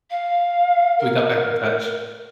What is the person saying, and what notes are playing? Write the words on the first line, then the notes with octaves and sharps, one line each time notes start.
we got back in touch,
F5
A#4